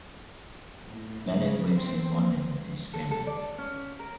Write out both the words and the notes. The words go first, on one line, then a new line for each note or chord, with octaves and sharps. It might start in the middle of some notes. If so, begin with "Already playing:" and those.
Bennett lives in London with his family.
A2
C#3
C4
A#3
A4
A4
D5
C#4
A#4